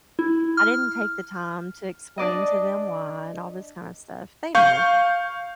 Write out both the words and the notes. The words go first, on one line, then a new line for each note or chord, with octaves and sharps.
I didn't take the time to explain to them why and all this kind of stuff. They know,
E4
F6
D4 D5 D#5
F5 C#6 G6